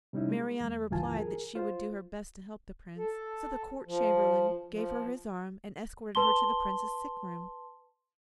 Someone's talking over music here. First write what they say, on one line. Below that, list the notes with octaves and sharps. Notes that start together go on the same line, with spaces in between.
Marianna replied that she would do her best to help the Prince; so the Court Chamberlain gave her his arm, and escorted her to the Prince's sick room.
C3 G3 C#4 D#4 E4
G#3
E2
C#2 G2 E3 F4 G#5 A5
G#4 A#4
F4 C5
A4
F3
F3
B4 A5 C6 G7